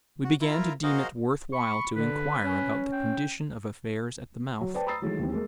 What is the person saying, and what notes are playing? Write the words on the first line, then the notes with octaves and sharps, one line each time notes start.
We began to deem it worth while to inquire about the condition of affairs at the mouth.
F#4
E4 F4 A#4
F#4 G#4 A#4 C5 D#5 F5
B5 C#6
D3 B4
C#4
G5
F#3
B4 C5 D5 G5 A5
A#5 B5 D#6 E6 A6 C7
D#3 E3 F#3 G#3 A3
D#2 E3 G3 C4
G#3 A#3